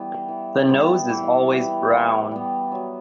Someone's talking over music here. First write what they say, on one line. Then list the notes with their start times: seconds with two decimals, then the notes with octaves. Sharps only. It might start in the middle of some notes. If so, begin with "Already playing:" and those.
The nose is always brown.
Already playing: E3 G3 B3
0.28 E3
0.69 G3 B3
1.10 E3
1.50 G3 B3
1.91 E3
2.32 G3 B3
2.72 F#3